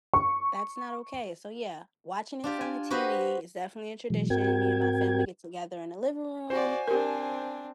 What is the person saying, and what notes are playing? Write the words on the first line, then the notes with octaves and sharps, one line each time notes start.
That's not okay, so yeah, watching it from the TV is definitely a tradition, me and my family get together in the living room
C#6
D4 F4 G4
G#5
F#4 G4 B4 C5 D#5 F#5
B2 E3 F#3 G#3
G#2 C4 F#4 A#4 G5 G#6
F#4 C5 D5 G#5
C4 D4 G4 A#4